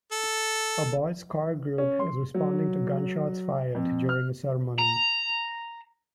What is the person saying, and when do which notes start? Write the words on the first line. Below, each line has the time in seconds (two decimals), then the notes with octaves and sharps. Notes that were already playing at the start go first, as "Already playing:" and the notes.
A boys choir group is responding to gunshots fired during a ceremony.
0.12 A4
1.78 C#4
1.99 C6
2.34 F#3
3.75 F2
4.09 F6
4.79 A#5